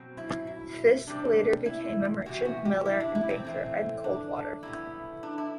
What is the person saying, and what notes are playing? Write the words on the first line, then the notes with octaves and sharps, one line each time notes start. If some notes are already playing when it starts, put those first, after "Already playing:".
Fisk later became a merchant, miller, and banker in Coldwater.
Already playing: B2 F#3 C4
E4
E4
C3 G3 C4 D4
E4
C3 E3 G3 B3 F#4
F#4
G4
E4
D4
E4
C4
E3 A3 C4
D4
A2 G3 B3 E4
D4
E4